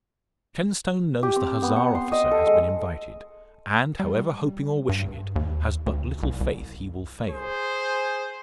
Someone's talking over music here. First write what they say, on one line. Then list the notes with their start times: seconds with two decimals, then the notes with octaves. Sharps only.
Shenstone knows the Hussar officer has been invited; and, however hoping or wishing it, has but little faith he will fail.
1.23 G4
1.36 C4
1.62 B3
1.76 F#5
1.95 C6
2.12 D#5
2.31 A4
2.47 G#3
4.00 G3
4.89 G2
5.36 D#2
5.86 D2
6.23 C2
6.41 C2
7.30 G#4 C5